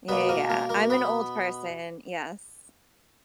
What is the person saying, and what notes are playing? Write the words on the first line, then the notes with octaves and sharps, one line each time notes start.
Yeah, yeah, yeah. I'm an old person. Yes.
B2 A#3 B3 B4
A#3 A#4
A#3 A#4
A#3 A#4
B3 B4